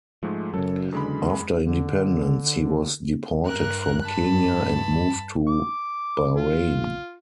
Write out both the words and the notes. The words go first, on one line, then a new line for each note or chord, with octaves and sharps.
After independence, he was deported from Kenya and moved to Bahrain.
G#2 F3 G#3 A3
F#2 C#3 F#3 A4
E2 D3 G#3 B5
D3
G2 A#4 F#6
G2 A5 B5
D6
F4